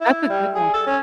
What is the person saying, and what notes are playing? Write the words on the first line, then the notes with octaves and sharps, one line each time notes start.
that's a good one.
E4
G3
G#4
A4
C#4